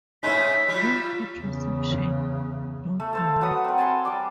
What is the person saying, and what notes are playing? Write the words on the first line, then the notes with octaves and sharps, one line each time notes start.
No Contraception, No Dole.
C#3 G#3 D#4 G4 C#5 E5 B6
F#3 G3 F4 E6
E2 C#3
A3
A4 C5 F5
F#3 B4 F#5 D#6
C4 A#4
G#5 A5 B5 C6
G3 D5 D6